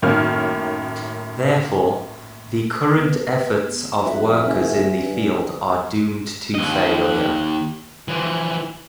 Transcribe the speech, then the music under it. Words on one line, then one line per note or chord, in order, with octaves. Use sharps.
Therefore, the current efforts of workers in the field are doomed to failure.
F#2 A2 D#3 A#3 C#4 F6
B3
F2 F#4 E5 F#5
F#1 C#4 E5
G2
D#2 D#5
E3 F3